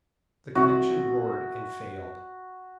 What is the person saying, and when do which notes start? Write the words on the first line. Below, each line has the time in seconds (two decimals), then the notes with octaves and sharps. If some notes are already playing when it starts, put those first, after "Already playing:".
The connection roared and failed.
0.55 C2 F#4